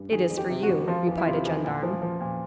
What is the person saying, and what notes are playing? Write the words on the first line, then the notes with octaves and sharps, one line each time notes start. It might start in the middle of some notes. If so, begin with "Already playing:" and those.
"It is for you," replied a gendarme.
Already playing: G2
D#3 G#4
F2
G4
C3
F#4
F2
F3 F4
E2
E4
C3 F4
E2
A#2
F3
F3
A#2